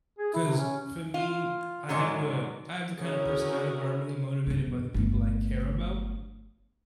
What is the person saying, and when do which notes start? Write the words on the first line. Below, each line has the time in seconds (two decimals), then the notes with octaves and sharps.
'Cause for me, I have a I have the kind of personality where I'm really motivated by the people I care about.
0.18 G#4
0.33 E4
0.46 C3
0.58 C#4
1.14 F4
1.89 G#2 D3 D#3 F#3
2.99 C#4 E4 F#4 G#4 A#4
4.47 G1 E2
4.94 G1 A3